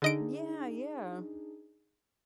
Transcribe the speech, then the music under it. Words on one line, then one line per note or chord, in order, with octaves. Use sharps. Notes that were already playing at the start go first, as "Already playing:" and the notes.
Yeah, yeah.
D3 D4 D#4 G#4 D#5 D7